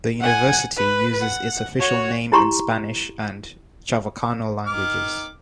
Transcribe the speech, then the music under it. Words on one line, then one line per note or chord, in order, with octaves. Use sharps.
The university uses its official name in Spanish and Chavacano languages.
F#5 G#5
B4
F#5
F#4 C#5
E4 G4 A#5 C6 C#6
D#3 D6 F6